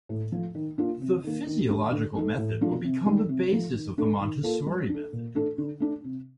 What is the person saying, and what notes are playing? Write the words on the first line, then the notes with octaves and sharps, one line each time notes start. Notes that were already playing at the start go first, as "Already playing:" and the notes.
The physiological method will become the basis of the Montessori method.
A2
F3 A3
D#3
A#3 D4 F4
C3
D#3 A#3
D#3
A3 D4 G4
D3
A3 D#4 A4
A2
F3 A3 D4 F4
C3
D#3 G3
C3
F3 A3
D#3
A3 D4 A4
D#3
A#3 F4 A4
G3
D4
A4
A#2
A3 D4 A4
D3
A3 D4
C3